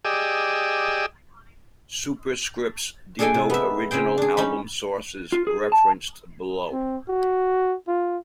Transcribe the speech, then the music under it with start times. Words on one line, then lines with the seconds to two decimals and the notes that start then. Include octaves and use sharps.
Superscripts denote original album sources, referenced below.
0.05 G4 G#4 D5 D#5 E6
3.19 D4 G#4 A4 D#5 G5 G#5
3.34 C3
3.50 B3 E5
3.91 C#3 C4 G#4 G5
4.18 D4 G#4
4.37 C#4 D#4 B5
5.32 F4
5.47 G#4
5.72 A5
6.73 C4
7.08 F#4
7.88 F4